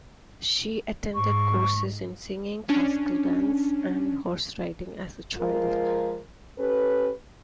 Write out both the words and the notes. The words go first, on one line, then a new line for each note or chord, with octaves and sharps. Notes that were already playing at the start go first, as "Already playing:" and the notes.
She attended courses in singing, classical dance, and horse-riding as a child.
G#2 C#6
C#4 D4
F3 G#3 F4 A#4
C#4 G4 A4 B4